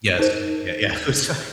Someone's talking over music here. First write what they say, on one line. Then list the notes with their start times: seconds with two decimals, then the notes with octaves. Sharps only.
Yes. Yeah, yeah. I'm sorry
0.19 D#4 G#4 A#4 C5